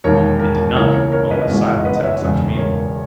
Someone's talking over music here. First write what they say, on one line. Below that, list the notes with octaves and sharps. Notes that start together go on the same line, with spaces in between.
It did not,--unless silence had such meaning.
E1 D#2 D#3 A#3 A#4 C#5
A#4
C#2 C#3 E3 A#3 A#4 C#5
A#4 C#5
A#4 C#5
B4 D#5
G#1 G#2 E3 G#3
D#5 F#5
B4 D#5
C#5 E5
E1 E2 C#3
A#4 C#5